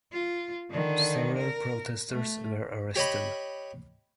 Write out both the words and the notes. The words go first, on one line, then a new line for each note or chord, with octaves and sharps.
Several protesters were arrested.
F4
D3 D#3
A#4
A3
G4 C#5 D#5 B5